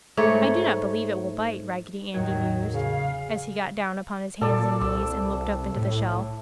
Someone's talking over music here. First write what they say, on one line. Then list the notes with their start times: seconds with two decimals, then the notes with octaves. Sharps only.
"I do not believe it will bite," Raggedy Andy mused, as he got down upon his hands and knees and looked up into the shell.
0.17 G#2 A3 C#5
2.14 E2 A2 D#3 F#3 G#6
2.74 C#3 G#4 F5
4.41 A#2 A4 D5
4.81 C2 E6
5.76 A2